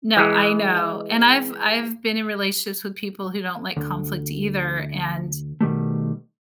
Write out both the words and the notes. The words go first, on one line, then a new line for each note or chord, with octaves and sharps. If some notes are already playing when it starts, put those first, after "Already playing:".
No, I know. And I've I've been in relationships with people who don't like conflict either, and
E3 G#3
D2
B2 D#3 G3 A3